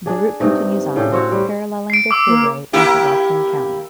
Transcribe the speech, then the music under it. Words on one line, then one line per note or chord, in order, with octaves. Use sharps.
The route continues on, paralleling the Thruway into Rockland County.
D4 G#4
G2 C3 D#4
A2 C#3 D4 G5
C4 F#4 C#5
G3
C7 D7
D6 E6
A#3
A#3 E4 G4